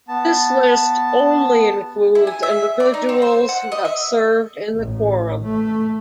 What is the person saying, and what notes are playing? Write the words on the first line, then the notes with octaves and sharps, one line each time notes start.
This list only includes individuals who have served in the Quorum.
B3 A5
E4
G#5
E5
D5
D#4
C4
C5
F#5
D#5
E5
A1
A3